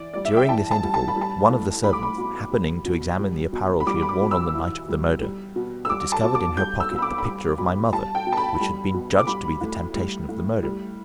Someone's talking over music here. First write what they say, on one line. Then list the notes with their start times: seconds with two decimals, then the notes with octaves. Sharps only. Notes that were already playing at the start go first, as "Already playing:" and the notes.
During this interval, one of the servants, happening to examine the apparel she had worn on the night of the murder, had discovered in her pocket the picture of my mother, which had been judged to be the temptation of the murderer.
Already playing: E3 D5
0.14 G3 D5
0.25 E5
0.37 G5
0.49 E3 A5
0.71 A5
0.83 G3
0.94 A5
1.08 B5
1.16 G3
1.21 A5
1.50 A2
1.84 G3 B5
1.93 D6
2.03 B5
2.18 B2
2.51 G3
2.85 B2
3.19 G3
3.53 B2
3.80 B5
3.87 G3 D6
4.02 B5
4.09 D6
4.21 B2
4.31 E6
4.54 E3
4.88 G3
5.22 G3
5.56 B2
5.85 E6
5.90 G3 D6
6.12 A5
6.23 B2
6.35 D6
6.57 G3 G6
6.80 E6
6.91 B2
6.98 B5
7.02 D6
7.18 B5
7.25 G3 D6
7.58 B2 B5
7.93 G3 A5
8.15 G5
8.26 B2
8.32 A5
8.37 B5
8.60 G3
8.94 B2
9.19 D6
9.27 G3 B5
9.61 A2
9.95 G3
10.28 A2
10.63 G3